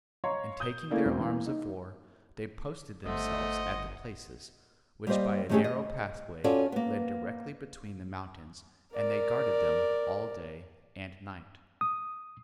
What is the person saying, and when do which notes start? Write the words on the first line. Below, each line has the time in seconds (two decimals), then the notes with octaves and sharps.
And taking their arms of war, they posted themselves at the places, which by a narrow pathway lead directly between the mountains, and they guarded them all day and night.
0.24 C#5 D#5 F5 A#5 C6 C#6
0.60 D#6 G6 G7
0.91 A3 A#3 C#4 E4 A#4 D5
1.05 E1 C4
1.20 E3 A#3
1.46 D#4
3.06 G1 A3 C5 D#5 F#5
5.07 G3 A#3 G4 C5 D5 D#5
5.49 D#3 G3 A3 C#4 G4 G#4
5.64 D#5
6.44 C#4 F4 F#4 A4 D5
6.72 A#3 B3
8.95 A#4 D5
11.81 D#6